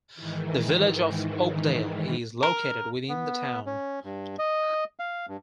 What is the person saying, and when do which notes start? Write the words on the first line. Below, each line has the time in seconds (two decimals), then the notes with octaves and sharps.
The Village of Oakdale is located within the town.
0.15 G#2 D#3 E3
2.43 A#4
3.09 B3
3.66 C#4
4.04 G2
4.39 D#5
4.99 F5
5.29 G2